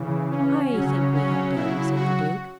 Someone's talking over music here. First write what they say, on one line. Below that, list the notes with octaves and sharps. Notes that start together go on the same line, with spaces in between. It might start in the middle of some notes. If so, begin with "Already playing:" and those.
"I think we had done," said the Duke.
Already playing: C#3 E3
C#4
F#3 C#4
C#3
C#4
E4
F#4